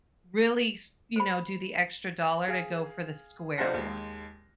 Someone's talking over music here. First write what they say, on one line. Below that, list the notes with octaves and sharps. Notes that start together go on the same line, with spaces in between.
really s you know, do the extra dollar to go for the square one.
C5 B5
G#4 F5
B1 D4 F4 C5 F#5 A#6
D#2 G#3